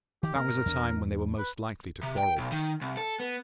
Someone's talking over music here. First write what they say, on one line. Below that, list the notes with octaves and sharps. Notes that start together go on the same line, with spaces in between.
That was the time when they were most likely to quarrel.
D#3 G4
B2 A#3 A#4
G2
E2 D4
B4
C3
G5
B1
D#3
C2
A4
B3